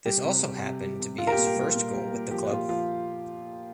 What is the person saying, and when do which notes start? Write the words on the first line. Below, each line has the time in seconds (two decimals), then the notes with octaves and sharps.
This also happened to be his first goal with the club.
0.05 G3 G4
0.24 C3
0.43 G3
0.62 C3
0.81 G3
1.00 C3
1.18 G3 F4
1.27 A#4
1.32 G4
1.38 A#2
1.46 G4
1.56 G3
1.61 F4
1.75 A#2
1.94 G3
2.13 A#2
2.31 F3 G4
2.50 A#2 F4
2.69 F3 F4